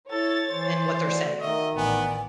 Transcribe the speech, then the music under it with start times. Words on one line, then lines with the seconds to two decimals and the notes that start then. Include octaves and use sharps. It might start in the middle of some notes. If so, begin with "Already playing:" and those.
and what they're saying.
0.10 E4 A4 C#5 A6
0.50 E3 C5
1.06 A3 F#4 D5
1.41 D#3 D#5 E5
1.76 A1 B3 D5 G#5